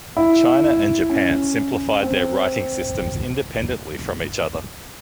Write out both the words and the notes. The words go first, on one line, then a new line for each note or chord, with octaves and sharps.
China and Japan simplified their writing systems independently from each other.
E4
C#4
C4